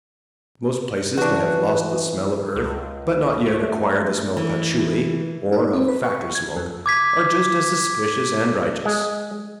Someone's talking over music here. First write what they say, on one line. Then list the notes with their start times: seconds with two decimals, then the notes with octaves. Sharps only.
Most places that have lost the smell of earth but not yet acquired the smell of patchouli--or of factory-smoke--are just as suspicious and righteous.
1.17 E3 D4 F#4 B4
2.56 C#2
3.46 A3
4.37 E3
5.52 D#4
5.73 C4
5.88 B4
6.04 C#6
6.35 G#6
6.57 F2
6.86 D6 G#6 B6
8.85 G#3